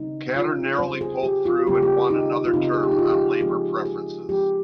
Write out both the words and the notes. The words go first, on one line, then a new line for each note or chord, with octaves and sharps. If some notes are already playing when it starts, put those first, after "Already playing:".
Katter narrowly pulled through and won another term on Labor preferences.
Already playing: C#3 G3 C4 D#4
F4
C#3 G3 C4 C5
G#4
G4
F4
C#3 G3 C4 G4
G#4
G4
D#4
F4
C#3 G3 C4 D#4
G#4
G4
D#4
F4
G4
G#4
F3 G#3 C4 G#4
G#4
F3 G#3 C4 G4